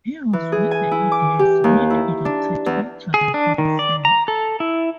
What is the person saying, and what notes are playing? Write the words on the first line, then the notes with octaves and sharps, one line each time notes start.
He was with the Indians when inducted into the Hall of Fame.
E3
G#4
G#5
E4
D6
G4
D#2
E4
D4
E2
G#4
D4
D#3
D5
A#5
A4
E4